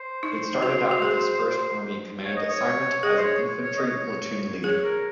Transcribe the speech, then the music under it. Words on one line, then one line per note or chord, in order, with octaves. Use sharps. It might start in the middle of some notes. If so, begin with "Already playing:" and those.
It started out with his first Army command assignment, as an infantry platoon leader.
Already playing: C5
D#4
F#4
F#4
G#4
C#5
D#5
C#5
G#4 D#5
C5
C#5
C#5
D#5
C#5
G#4 C#5
A#4